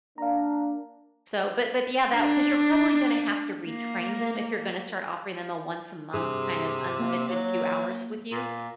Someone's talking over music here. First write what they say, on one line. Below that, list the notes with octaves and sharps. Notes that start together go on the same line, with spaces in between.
So, but but yeah, that 'cause you're probably gonna have to retrain them if you're gonna start offering them a once-a-month kind of unlimited few hours with you,
A#3 D4 F5 A#5
D4
A#3
G2 C3 G#4 D#6
A#3
F#3
A#2